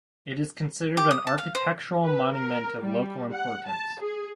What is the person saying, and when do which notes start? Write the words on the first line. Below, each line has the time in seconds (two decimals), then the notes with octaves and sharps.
It is considered an architectural monument of local importance.
0.97 G4
1.11 D#6
1.27 A5
1.38 F5
1.55 C5
2.03 B4
2.33 A#4
2.81 G3
3.33 F#5
3.67 A5
4.00 G#4